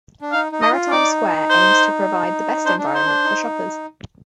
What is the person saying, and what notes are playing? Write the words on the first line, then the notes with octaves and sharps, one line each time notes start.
Maritime Square aims to provide the best environment for shoppers.
D4
D#4 F5
D#4
D#5
F4
D#4 D5
C5
D4 C5
D4
D#4
C5
D4
D#4